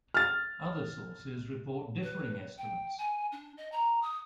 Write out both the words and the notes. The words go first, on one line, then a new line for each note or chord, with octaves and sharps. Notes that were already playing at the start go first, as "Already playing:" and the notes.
Other sources report differing estimates.
F6 A6
B4
G5
G#5
D4
D#5
A#5
D#6